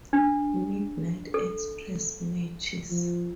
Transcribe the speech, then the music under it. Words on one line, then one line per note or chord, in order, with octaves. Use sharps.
Midnight Express matches.
D4
A4
F3